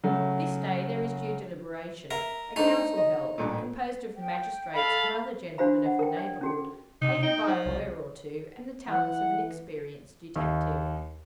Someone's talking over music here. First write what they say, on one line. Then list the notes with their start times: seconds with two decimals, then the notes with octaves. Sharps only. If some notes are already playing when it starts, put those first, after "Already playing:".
This day there is due deliberation; a council held, composed of the magistrates and other gentlemen of the neighbourhood, aided by a lawyer or two, and the talents of an experienced detective.
0.03 C#3 F#3 A3
2.11 A#4 E5
2.56 A3 D4 D#4 C5
2.97 D#5
3.38 A1 G2 A#2
4.17 G5
4.75 A4 F5 B5
5.58 D4 F#4 C5 F5 B5
5.86 F#5
5.99 A#4 G5
6.17 D5 G5
6.41 C#4 F#4 G#4
7.01 C3 D#4
7.23 D#4 G5
7.47 F3
7.66 C2
8.89 E3 F#5
10.36 D#2